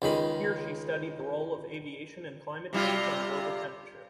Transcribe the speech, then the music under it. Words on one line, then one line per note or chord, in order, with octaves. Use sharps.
Here she studied the role of aviation in climate change on global temperature.
C#2 D#3 G#3 B5
C3 G3 F4